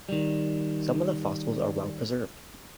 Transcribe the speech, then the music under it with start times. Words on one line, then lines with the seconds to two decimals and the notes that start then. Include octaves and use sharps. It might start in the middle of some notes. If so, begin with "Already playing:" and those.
Some of the fossils are well-preserved.
0.09 D#3 G3